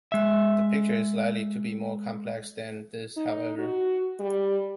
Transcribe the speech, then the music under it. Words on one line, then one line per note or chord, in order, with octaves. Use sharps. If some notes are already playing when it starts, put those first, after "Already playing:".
The picture is likely to be more complex than this, however.
G#3 E5
D#4
F#4
G3